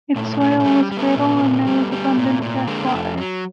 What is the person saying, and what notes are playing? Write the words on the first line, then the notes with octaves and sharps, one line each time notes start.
Its soil was fertile and there was abundant fresh water.
A#2 A3
A#2 A3
A3
G3
G3
A3 B3
A#2
A#2
G3
G3
A#2
A#2
D3 G#3 A#3
A#3
F2 A3
F#3